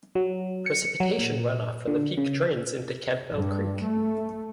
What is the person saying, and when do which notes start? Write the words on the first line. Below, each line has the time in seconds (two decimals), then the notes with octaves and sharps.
Precipitation runoff from the peak drains into Campbell Creek.
0.15 F#3
0.66 C#7
1.00 F#3
1.19 A#2
1.87 D3
2.17 C#3
3.31 G2
3.83 A3